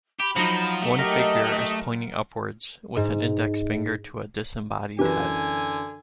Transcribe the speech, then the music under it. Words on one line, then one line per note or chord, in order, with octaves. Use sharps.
One figure is pointing upwards with an index finger to a disembodied head.
G4 B5
F3 F#3 D#4
A3 G4
G4 A#4 D#5 D#6
G#2
F#2 D3 E3 G4 B4 G#5